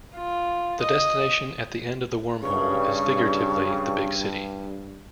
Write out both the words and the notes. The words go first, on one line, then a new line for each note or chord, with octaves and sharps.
The destination at the end of the wormhole is figuratively "the big city".
F4
D#5
G2 C#3 C#6